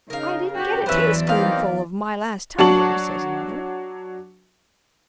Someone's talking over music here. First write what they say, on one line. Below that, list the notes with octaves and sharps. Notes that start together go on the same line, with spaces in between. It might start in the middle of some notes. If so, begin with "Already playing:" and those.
"I didn't get a tayspoonful of my last tumbler," says another.
C#3 D#4 A#4 F5
F#4 G4 G5
E2 E3 F#3 C#4 B4 C5 D5 E5
A#3 C4 D#4 B4 F5
F#3 D4 F#4 A5 C#6 F#7